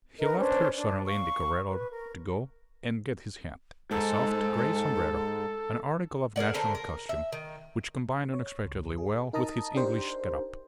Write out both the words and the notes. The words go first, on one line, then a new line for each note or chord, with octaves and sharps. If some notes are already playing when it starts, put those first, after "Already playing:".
He left her suddenly in the corredor to go and get his hat, a soft, grey sombrero, an article of national costume which combined unexpectedly well with his English get-up.
D#4 A#4 B4 D#5
C#4 D4 B4 C5
D4
F5 C#6
B4
A#4
G#2 A4
G#4 A#4 D5 F#5
D3 A3 A#4 C5
A#4
E5
D#3
C#5
C#2
G#4
D#4 A#4 D#5 A5 A#5 D#6
D4 D#4 G4 A#4 C5